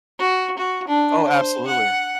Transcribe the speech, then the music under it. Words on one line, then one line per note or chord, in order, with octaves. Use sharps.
Oh, absolutely.
F#4
F#4
D4
C5
F#5